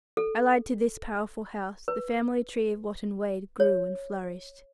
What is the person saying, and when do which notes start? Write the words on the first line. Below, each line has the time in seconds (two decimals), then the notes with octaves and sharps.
Allied to this powerful house, the family tree of Wotton Wade grew and flourished.
0.17 A4
1.88 B4
3.60 C#5